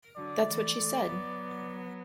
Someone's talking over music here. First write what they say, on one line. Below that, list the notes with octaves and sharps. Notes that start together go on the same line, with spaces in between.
That's what she said!
D3 F#3 D5
E3 A3
E3 A3
F#3 B3